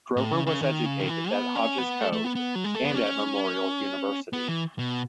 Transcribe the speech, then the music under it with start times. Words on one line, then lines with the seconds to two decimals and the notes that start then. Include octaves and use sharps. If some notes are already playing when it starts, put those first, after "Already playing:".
Drover was educated in Hodge's Cove and at Memorial University.
0.17 A2
0.32 C#3
0.46 C#3
0.62 D#3
0.86 C#3
1.00 D#3
1.09 E3
1.32 B3
1.55 C#4
1.78 B3
2.01 A3
2.13 A3
2.24 B3
2.35 B3
2.55 F#3
2.64 G#3
2.75 A3
2.85 B3
2.94 C#4
4.33 B3
4.48 E3
4.79 B2